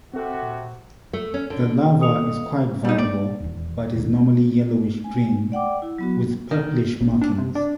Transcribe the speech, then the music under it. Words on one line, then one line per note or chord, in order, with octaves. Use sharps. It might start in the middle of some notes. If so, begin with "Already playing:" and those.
The larva is quite variable but is normally yellowish-green with purplish markings.
C3 C4 F#4 A4
A#2
A3
C#4
D3
A4 D#5 D#6 C#7 F7
G3 D#4
D5
D#1 E2
A1 D#2 B2
G#5
D5 F#5 G5 D6
E4
F#3 B3 F#4
D#3
A1
D4
C3
D4